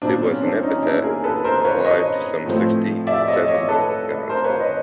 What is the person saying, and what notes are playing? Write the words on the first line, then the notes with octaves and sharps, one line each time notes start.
It was an epithet applied to some sixty-seventy goddesses.
A#2 F#3 B3 C4 D4
C#4
C4 D4
C#4 D#4
D4 E4
G#4 A#4
A4 B4
A#4 C5
B4 C#5
C#5 D#5
A2 F3 A3 C4
D5 E5
C#5 D#5
C#5 D#5
A4 B4
A#4 C5
B4 C#5
C#5 D#5